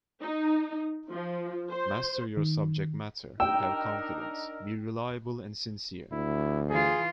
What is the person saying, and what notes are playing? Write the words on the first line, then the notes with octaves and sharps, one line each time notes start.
Master your subject matter, have confidence, be reliable and sincere.
D#4
F3
C5
D#3
D4 D#4 A#4 G5 E6
D2 E4
E3 F4 G#4